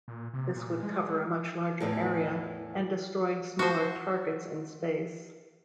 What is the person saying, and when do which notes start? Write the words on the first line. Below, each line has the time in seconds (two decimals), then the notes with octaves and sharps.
This would cover a much larger area, and destroy smaller targets in space.
0.08 A#2
0.33 C3
0.56 A#2
0.83 G#3
1.80 E2 A2 E3
3.59 F#4 C5